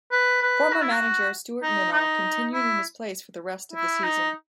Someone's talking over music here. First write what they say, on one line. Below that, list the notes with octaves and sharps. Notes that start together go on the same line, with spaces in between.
Former Manager, Stuart Minall, continued in his place for the rest of the season.
B4
B4
F#4
E4
F#4
D#4
D#4
E4
E4
D#4